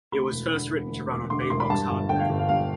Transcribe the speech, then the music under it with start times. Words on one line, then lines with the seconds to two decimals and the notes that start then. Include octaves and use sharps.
It was first written to run on BeBox hardware.
0.12 D2 B5
0.32 E1
0.52 D3
0.72 E1
0.91 D2
1.11 E1 D6
1.30 D3 C6
1.40 D6
1.50 E1 C6
1.60 B5
1.70 G2 A5
1.90 G1
2.09 D3 G5
2.19 F5
2.29 G1
2.39 F5
2.49 G2 F5